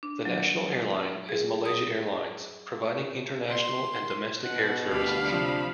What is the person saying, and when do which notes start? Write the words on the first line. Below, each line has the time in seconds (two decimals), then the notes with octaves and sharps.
The national airline is Malaysia Airlines, providing international and domestic air services.
0.03 D4
0.25 F#3
1.29 G#4
1.66 D#6
3.49 C6
4.42 B2 F#5
4.89 D2 D3 G3 F5 B5
5.22 C3 F3 D4